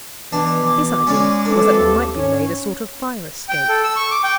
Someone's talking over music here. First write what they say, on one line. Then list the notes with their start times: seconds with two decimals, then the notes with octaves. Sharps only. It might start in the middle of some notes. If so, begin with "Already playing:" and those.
His idea was that it might be made a sort of fire-escape.
0.32 B2 E3 D4
0.64 E3 D6
1.07 G#3 C#4 C#5 D5
1.45 E3 C4 D4 A4
1.79 D#2
2.15 G#2 C#4 C#5
3.49 G5
3.69 A4
3.84 E6
3.96 C#6
4.11 D6
4.24 G5